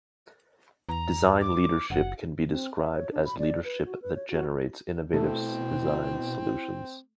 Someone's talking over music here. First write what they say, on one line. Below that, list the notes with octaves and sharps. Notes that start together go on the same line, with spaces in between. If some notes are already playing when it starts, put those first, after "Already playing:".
Design leadership can be described as leadership that generates innovative design solutions.
E2 A#5
D6
F#1 F#5
C4
E5
C#5
D4
B5
D5
B4
F#4
B4
C#5
F#4
B2 A3 C4 E4 A4